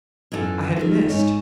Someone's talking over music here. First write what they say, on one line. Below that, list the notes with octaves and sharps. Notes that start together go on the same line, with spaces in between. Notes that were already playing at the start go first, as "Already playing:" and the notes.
I had missed!
F#2 E3 E4 F4 A4
D#3 G3 F4 A4
G#2 D#4 C#5